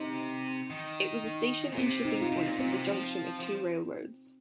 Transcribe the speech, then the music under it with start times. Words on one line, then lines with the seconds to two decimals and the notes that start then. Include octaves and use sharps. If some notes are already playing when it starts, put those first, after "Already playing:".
It was a station and shipping point at the junction of two railroads.
Already playing: C3 D#4
0.70 D#3
1.24 D#4
1.72 A#2
1.78 C3 C4
2.05 D#4
2.22 F4
2.32 C3 D#4
2.46 A#2
2.59 A#2 C4
2.73 C3
2.87 F3
3.40 F3